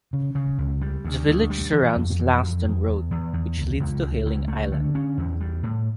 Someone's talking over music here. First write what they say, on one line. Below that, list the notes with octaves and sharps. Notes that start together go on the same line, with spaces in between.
The village surrounds "Langstone Road" which leads to Hayling Island.
C#3
C#3
C#2
G3
D2
D2
G3
E3
F2
E3
F2
E2
E2
E2
E2
C#2
C#2
C#2
C#2
A3
D3
C#4
E2
G3
A2